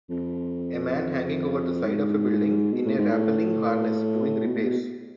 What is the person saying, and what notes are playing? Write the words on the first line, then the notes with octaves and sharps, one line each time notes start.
A man hanging over the side of a building in a rappelling harness doing repairs.
F2
G#2
B2
A2
G#2
A2
B2
A2
B2